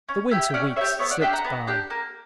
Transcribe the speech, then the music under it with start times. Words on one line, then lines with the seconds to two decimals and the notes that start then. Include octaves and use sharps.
The winter weeks slipped by.
0.09 C#4
0.31 E4 G4
0.50 G5
0.54 C#4 D5 F#5
0.76 E4 C#5 E5
0.81 G4
0.99 B3 C#5 E5
1.11 D5 F#5
1.21 D4 G4 E5 G5
1.33 F#5 A#5
1.44 B3
1.67 D4 G4
1.90 A#3